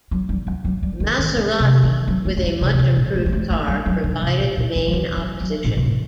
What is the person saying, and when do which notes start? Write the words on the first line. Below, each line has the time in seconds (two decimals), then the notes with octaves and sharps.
Maserati, with a much-improved car, provided the main opposition.
0.11 F#3
0.29 G3
0.47 F#3
0.65 F#3
0.83 G3
1.00 D#3
1.18 D#3
1.36 D3
1.60 C3
1.83 D#3
2.08 F#3
2.25 A3
2.37 A3
2.43 G3
2.61 C3
2.74 D3
2.79 C3
2.97 A#2
3.14 A3
3.26 G3
3.32 A3
3.50 A3
3.68 G3
3.86 F#3
4.04 D3
4.22 C3
4.39 A#2
4.57 A#2
4.75 D3
4.88 F#3
4.93 D#3
5.17 F#3
5.41 F#3
5.64 A#2
5.77 A#2
5.83 A2